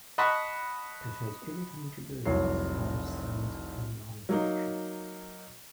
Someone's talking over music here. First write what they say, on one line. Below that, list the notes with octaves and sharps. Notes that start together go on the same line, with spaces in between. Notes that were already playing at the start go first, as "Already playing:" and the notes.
It has everything to do with those things in nonfiction.
D#5 F#5 A5 B5 C#6
F1 C2 F#3 C#5 C7
F#3 A#3 D#4